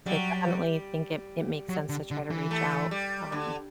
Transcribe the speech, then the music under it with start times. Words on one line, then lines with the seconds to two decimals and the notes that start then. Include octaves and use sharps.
so I definitely think it it makes sense to try to reach out, um,
0.06 F#3 G3
1.69 F#3
1.89 D3
2.11 D3
2.31 E3
2.51 A3
2.91 G3
3.32 D3